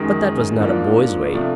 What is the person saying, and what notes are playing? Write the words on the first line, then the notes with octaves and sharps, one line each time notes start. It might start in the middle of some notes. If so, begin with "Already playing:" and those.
But that was not a boy's way.
Already playing: F#2 D#3 G#3
G#2 F3 A#3 D4 F4
C3 F3 A3 D4